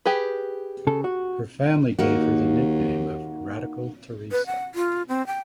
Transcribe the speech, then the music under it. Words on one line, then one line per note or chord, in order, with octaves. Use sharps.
Her family gave her the nickname of "Radical Theresa".
G4 G#4 B4
C#3 A4
F#4
D#2 A#3 D#4 F#4
B4
F#5
F4
C4
G5